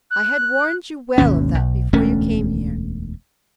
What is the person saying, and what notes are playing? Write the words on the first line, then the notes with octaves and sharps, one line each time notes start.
I had warned you well of that before you came here.
F#6
G#1 D#2 B2 C#4
B1
E1 D2 A3 C#4